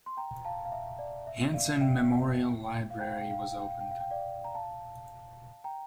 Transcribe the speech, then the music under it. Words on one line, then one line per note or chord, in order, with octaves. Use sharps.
Hansen Memorial Library was opened.
C6
G5 A#5
F5 A5
F5
E5
D5
E5
D5 F5
E5 G5
F5
G5
F5
G5
F5
G5
F5
G5
F5
G5
F5
G5
D5 F5
A#5
F5 A5
G5 A#5